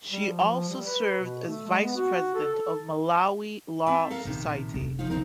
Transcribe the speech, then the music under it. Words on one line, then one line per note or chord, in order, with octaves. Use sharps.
She also served as vice president of Malawi Law Society.
G3
F3
F3
G3
B4
B2
A3
G#3
B3
F#4
A4
A4
C4 E5 A5
A4 A#4 F5
A#1 A2 C3 D#3
F1 D4
F3 D#4 F4
C2 D3 C4 D#4 A#4